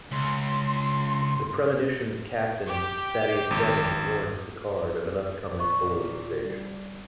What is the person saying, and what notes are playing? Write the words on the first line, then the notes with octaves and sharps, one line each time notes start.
The "Premonition"s captain, Thaddeus Demming, warns Picard of an upcoming Borg invasion.
C#2 C6
G4
G#1
A#2 C5 D#5 C#6
G3